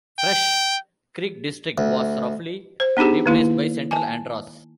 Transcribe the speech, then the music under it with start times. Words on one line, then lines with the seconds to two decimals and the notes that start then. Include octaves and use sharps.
Fresh Creek district was roughly replaced by Central Andros.
0.19 G5
1.78 D2
2.80 C5
2.97 B3 D4 D#4 G4 G#4
3.26 D#3 A#3 E4
3.91 G#5 A5